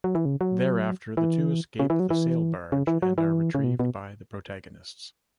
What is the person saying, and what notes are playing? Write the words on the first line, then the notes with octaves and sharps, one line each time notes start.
Thereafter the two escape the sail barge and are retrieved by the protagonists.
F#3
E3
C#3
F#3
E3
C#3
E3
F#3
E3
C#3
E3
F#3
E3
C#3
B2
B2